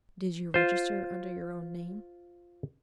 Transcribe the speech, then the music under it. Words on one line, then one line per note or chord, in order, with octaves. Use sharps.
"Did you register under your own name?"
F4 C5